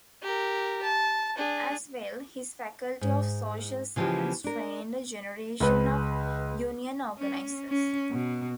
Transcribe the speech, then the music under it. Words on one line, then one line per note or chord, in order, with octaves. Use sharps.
As well, his Faculty of Social Science trained a generation of union organizers.
G4 A#4
A5
D4 G#4
G#2
C#3 E3 F3 A#3 F4 G4
D4 A#4
C#2 B4
C#4
C#4
B2